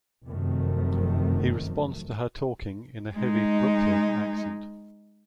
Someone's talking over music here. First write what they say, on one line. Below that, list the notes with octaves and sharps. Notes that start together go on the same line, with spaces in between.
He responds to her talking in a heavy "Brooklyn" accent.
F1 F#2 C3 D#3 A3
G#3 D#4